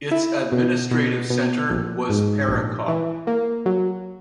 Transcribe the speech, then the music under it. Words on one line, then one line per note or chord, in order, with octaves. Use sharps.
Its administrative centre was Perekop.
E4
B2
B2
B2
A#1
G#2
A#1
E3
A#3
F#3